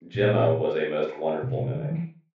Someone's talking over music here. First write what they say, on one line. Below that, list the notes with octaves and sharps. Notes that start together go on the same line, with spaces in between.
Jemma was a most wonderful mimic.
A#2
B2
B2
D3
E3